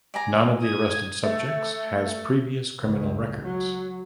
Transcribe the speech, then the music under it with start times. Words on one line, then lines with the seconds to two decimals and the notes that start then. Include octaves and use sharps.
None of the arrested subjects has previous criminal records.
0.14 D5 G#5 A#5
0.61 D#6 G#6
1.24 A3
2.82 C#2
3.43 F#3